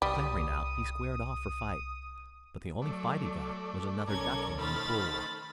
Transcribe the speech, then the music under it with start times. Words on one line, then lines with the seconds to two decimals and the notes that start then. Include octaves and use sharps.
Clambering out he squared off for fight, but the only fight he got was another ducking in the pool.
0.02 C2 G3 D#6
2.82 F#3 A3 D5
4.08 B1 C#4 A4 A#4 D5 G#6
4.58 D#3 A3 C5 B5 F6 A6